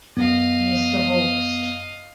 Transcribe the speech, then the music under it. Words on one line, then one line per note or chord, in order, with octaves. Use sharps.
He is divorced.
F#2 B3 D#5 F5